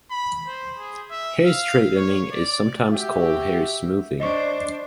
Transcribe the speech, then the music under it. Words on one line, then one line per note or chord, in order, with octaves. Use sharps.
Hair straightening is sometimes called hair smoothing.
B5
C5
G#4
E5
F5
C#5
D5
F#4 G4 E5
D4 C5 D#5 C#6